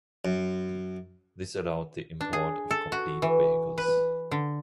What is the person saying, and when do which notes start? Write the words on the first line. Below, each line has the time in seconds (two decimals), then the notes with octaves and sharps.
This allowed the import of complete vehicles.
0.25 F#2
2.21 D4
2.33 G#4
2.71 A4
2.92 F#4
3.22 E3
3.78 B4
4.31 D3